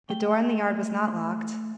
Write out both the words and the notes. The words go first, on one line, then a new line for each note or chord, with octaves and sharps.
The door in the yard was not locked.
A3 G5